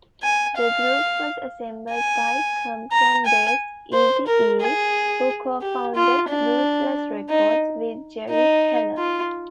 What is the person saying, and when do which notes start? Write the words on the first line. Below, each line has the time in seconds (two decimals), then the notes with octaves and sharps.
The group was assembled by Compton-based Eazy-E, who co-founded Ruthless Records with Jerry Heller.
0.23 G#5
0.57 F5
1.91 G#5
2.92 A#5
3.25 G#5
3.93 C5
4.27 A#4
4.61 G#4
5.61 G4
5.95 F4
6.29 D4
7.29 D#4
8.30 D#4
8.98 F4